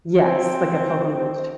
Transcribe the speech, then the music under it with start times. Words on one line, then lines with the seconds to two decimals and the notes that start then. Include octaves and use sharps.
Yes, like a pilgrimage.
0.23 C4